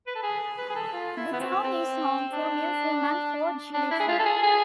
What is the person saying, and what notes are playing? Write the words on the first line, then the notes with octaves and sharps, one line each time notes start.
The town is home to a museum and Fort Jillifree.
B4
A4
G#4
B4
G#4
A4
F4
E4
B3
C4
C4
D4
D4
E4
G#4
F4
A4
G#4
G#4